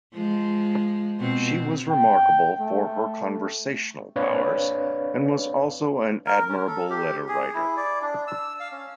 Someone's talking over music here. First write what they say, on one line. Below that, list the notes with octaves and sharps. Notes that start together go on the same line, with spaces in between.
She was remarkable for her conversational powers, and was also an admirable letter-writer.
F3 G#3
B2 C4
G5
A3
C4 D4 B4 C#5 D5 F5
A#4
C#4
A4
G4
G#4
E4
D5
D4
E6
F5
C#4